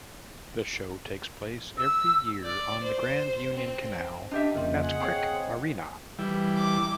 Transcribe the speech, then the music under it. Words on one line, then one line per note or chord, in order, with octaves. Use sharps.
The show takes place every year on the Grand Union Canal at Crick Marina.
E6
D5
C5
C4
D4 G4 D#5 E5
F2 C#3 A#3 F4 A#4
G#4 F#5
C4 C#5 F5 G5 C7
C5
E3 G3
D6